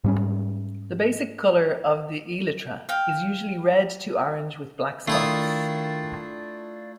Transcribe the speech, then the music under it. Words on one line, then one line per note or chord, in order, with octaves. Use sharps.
The basic color of the elytra is usually red to orange with black spots.
G#2 G3 C#4
F5 G5
D#3 A3 D4 E4 F4 D#6